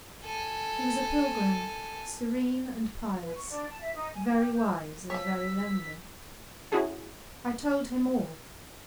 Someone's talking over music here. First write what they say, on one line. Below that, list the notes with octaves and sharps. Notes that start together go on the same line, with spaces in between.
He was a pilgrim serene and pious, very wise and very lonely. I told him all.
A4 G#5
B4
C#6
D4
A5
E5
D#4
G#5
G4
G6
F3 C#5 E6 B6
C#4 E4 F#4 G#4 A4